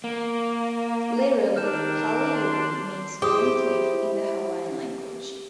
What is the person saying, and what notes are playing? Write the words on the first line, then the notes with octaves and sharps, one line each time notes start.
Literally "pali uli" means "green cliff" in the Hawaiian language.
A#3
D#3 D4 A#4 F6 G6 E7
C6
E4 G4 G#4 C5 D#6